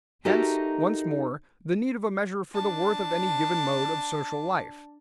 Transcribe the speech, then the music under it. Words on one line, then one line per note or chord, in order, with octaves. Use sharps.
Hence, once more, the need of a measure for the worth of any given mode of social life.
D#4 F#4 G4 A4 A#4 E5
D4 A5